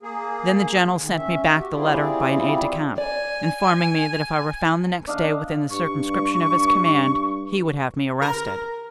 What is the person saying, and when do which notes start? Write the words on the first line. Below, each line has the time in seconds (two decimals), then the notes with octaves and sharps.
"Then the general sent me back the letter by an aide-de-camp, informing me that if I were found the next day within the circumscription of his command, he would have me arrested."
0.03 A#3 G#4
0.97 D#3
1.15 C#4 E5
1.55 F#4 G4
1.73 G3 C4 E4 F4 G#4 D5
2.98 D5 G#5
5.07 D4 D#5 F5
5.71 G2 C#6
8.22 A#4